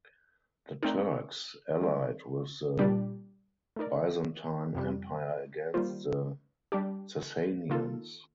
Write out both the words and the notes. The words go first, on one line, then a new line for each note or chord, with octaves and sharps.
The Turks allied with the Byzantine Empire against the Sasanians.
A3 C4 D#4 A#4 D5
D#3 G3 C4
A#2 G3 D4 G4 D5
A3 D#4 A#4 D5
F2 C3 G3
D#3 G3 A#3 F4 C5
G3 D4 G4
D#3 A#3 F4 A4